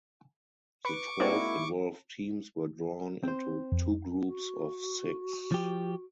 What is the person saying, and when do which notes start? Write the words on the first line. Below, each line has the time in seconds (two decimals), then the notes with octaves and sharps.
The twelve involved teams were drawn into two groups of six.
0.85 B4 C#6 D6
1.20 G#3 A#3 C4 D4 E4 F#4 D5
3.23 C4 C5
3.72 F2
4.26 F#4
5.52 F3 G4